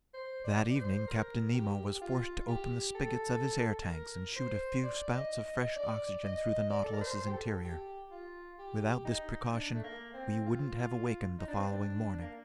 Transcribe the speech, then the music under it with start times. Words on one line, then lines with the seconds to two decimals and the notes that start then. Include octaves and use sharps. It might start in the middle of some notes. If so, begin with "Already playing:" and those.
That evening Captain Nemo was forced to open the spigots of his air tanks and shoot a few spouts of fresh oxygen through the Nautilus's interior. Without this precaution we wouldn't have awakened the following morning.
0.14 C5
0.44 D5
0.70 D5
0.75 C5
1.07 A#4
1.54 G4
1.95 G4
2.01 F4
2.48 G4
2.95 A4
3.88 A#4
4.36 C5
4.83 D5
5.15 D#5
5.45 D#5
5.76 D5
6.24 D#5
6.70 D5
6.84 A4
6.94 A#4
7.01 C5
7.27 G4
7.33 A4
7.65 G4
8.11 F4
8.59 G4
9.05 D#4
9.51 D4
9.75 A3
9.84 A#3
10.14 C4
10.46 F4
11.39 D#4
11.48 D4
11.56 C4
11.64 D4
12.21 A#3